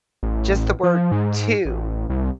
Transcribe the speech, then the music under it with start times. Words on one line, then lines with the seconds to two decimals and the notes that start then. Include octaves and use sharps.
just the word, "to,"
0.23 A1
0.83 F3
1.12 G#2
1.66 A1
2.10 C2